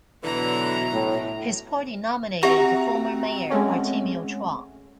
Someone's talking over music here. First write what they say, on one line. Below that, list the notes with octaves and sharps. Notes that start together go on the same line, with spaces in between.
His party nominated former Mayor Artemio Chua.
B2 D3 E3 F#3 A#5
A2
C4 F#4 G4 E5 A#5
G#3 A3 C#4